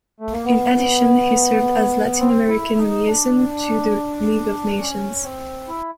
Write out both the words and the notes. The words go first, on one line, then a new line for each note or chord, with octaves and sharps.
In addition, he served as Latin American Liaison to the League of Nations.
A3
A#3
B3
C4
E4
D#4
D4
C#4
C4
E4